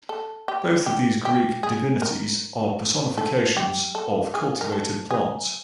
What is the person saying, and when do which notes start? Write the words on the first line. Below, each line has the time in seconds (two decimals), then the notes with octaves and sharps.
Both of these Greek divinities are personifications of cultivated plants.
0.09 A4
0.48 G4
0.86 G4
1.25 G4
1.63 G#4
2.02 A#4
3.18 A4
3.57 G4
3.95 A4
4.34 G#4
4.61 A#4
4.72 A4
5.11 G#4